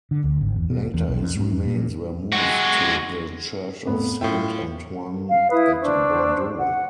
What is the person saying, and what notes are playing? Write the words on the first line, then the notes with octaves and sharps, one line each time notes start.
Later his remains were moved to the church of Saint Antoine at Bordeaux.
D3
D2
G#1
E2
B2
E2
B1
F2
G#2
F2
A#2
G#3 F#4
F2 A2 B3
A2 F4 E5 G5
F5
E4 B4 D#6
D4 C5 C#6 E6
F#5